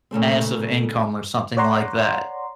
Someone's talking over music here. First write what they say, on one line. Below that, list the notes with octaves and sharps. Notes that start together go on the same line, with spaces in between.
passive income or something like that?
A#2 C#3 A3 C4
C#5 D5 F#5 A#5 C6